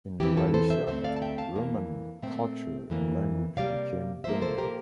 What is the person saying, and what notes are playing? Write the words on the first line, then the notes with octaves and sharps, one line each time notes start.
In Raetia, Roman culture and language became dominant.
E2 E3 A3 C4 E4 G4
F4 A4
A4 C5
C5 E5
D2 D3 A3 C4 C5 E5
D5 F5
A5
E5 G5
F5 A5
F2 E3 A#3
A#2 A3 C4 E5 G5
F2 E3 A#3
C3 G3 A#3 D5 F5
A#2 F3 A#3 C5 E5
A4 C5
G4 A#4